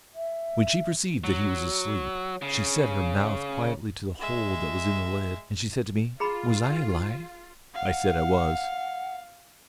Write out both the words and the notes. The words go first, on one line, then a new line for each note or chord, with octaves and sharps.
When she perceived that he was asleep, she set her mouth quietly to the hole that was in the lid, and she said to me 'was I alive?' I said I was.
E5
F#3
C#3
G#3 E5
F4 G#4 A#5 B5
F5 F#5